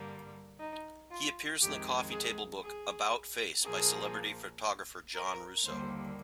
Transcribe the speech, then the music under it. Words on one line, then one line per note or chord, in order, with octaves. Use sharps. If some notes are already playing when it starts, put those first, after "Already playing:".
He appears in the coffee table book "About Face" by celebrity photographer John Russo.
Already playing: G2 D3 G3 A#3
D#4
F4
F2 D#3 G#3 G4
G#4
G#4
A#2 F3 A#3 G#4
A#4
D#2 D3 G3 A#3 C5